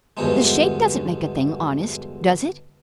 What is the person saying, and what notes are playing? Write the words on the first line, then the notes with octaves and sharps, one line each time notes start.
"The shape doesn't make a thing honest, does it?"
E2 G2 B2 D3 F3 G#3